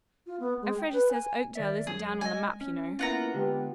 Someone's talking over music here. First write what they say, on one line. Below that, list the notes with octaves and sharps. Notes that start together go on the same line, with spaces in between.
"Elfreda says Oakdale isn't down on the map, you know."
F4
B3
G#3
G5
B4
G#5
D#3 D5 E5
F#2 G#4
G#3 D#5 G#5
C#4
A#3 B3 E4 F4 F#5 A#5
D3 G#3 B3 G4